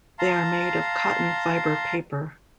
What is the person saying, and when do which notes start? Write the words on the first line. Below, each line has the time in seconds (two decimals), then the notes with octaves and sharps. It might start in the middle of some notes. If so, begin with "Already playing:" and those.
They are made of cotton fibre paper.
0.19 F5 A5 A#5 C6